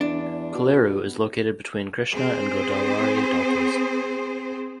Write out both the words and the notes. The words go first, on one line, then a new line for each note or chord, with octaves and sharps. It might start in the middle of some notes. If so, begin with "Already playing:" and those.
Kolleru is located between Krishna and Godavari deltas.
E2 D4
B2
C4 G#4 C5